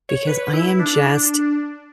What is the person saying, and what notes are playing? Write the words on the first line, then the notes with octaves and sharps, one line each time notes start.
because I am just
C#5
B4
E4
D4